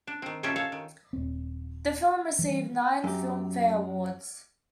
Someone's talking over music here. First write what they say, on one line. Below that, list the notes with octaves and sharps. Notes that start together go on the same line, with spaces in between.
The film received nine Filmfare Awards.
D4
D#3 C4
A#2 C#4 F4 G4 A4 E5
A4 C#5 F5
D#3
D#1 C4
E3 G3
F#2 G4